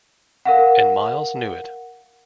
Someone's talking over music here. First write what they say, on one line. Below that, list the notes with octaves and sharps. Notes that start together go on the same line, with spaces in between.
And Miles knew it.
A#4 F5 F#5